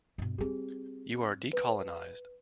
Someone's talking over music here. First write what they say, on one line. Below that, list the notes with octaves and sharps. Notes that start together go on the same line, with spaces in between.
You are decolonized.
G2 B2
G3 C4 G4 G#4
B4